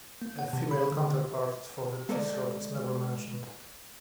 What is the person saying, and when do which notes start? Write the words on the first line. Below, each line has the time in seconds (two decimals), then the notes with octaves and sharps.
A female counterpart for the Tisroc is never mentioned.
0.22 A#3
0.39 F#5
0.53 C3
0.71 B5
0.92 D3
2.09 G#3 A#3 A4 A#4 C5 D5